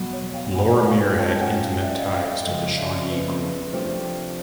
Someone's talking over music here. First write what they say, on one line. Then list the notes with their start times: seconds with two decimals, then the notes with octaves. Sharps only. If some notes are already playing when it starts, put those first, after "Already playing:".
Lorimier had intimate ties to the Shawnee group.
Already playing: E2 B2 F#3
0.13 C#5
0.34 F5 G5
0.55 F#5 G#5
0.83 G#5
0.87 F5 G5
1.19 G#3 C#4 F4 A#4 C#5 G5 A5
1.36 G5
1.40 F#5 G#5
1.61 F5 G5
1.82 D5 E5
1.98 D#5 F5
2.14 F5 G5
2.30 F5 G5
2.46 F2 C#3 F3 G#3 C#4 D#5 F5
2.77 D5 E5
3.10 B4
3.41 B4
3.73 C3 F3 A3 D4 G4 C5